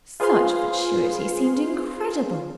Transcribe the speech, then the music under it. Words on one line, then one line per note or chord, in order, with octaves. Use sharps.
Such fatuity seemed incredible.
F4 G#4 B4 C5 F5 C6